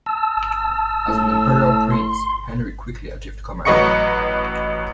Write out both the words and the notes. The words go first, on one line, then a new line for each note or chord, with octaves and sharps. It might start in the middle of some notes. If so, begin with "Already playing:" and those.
As an imperial prince, Henry quickly achieved command.
A5 E6
A2
C6
A1 F#3 B4 D#5 C#6 C#7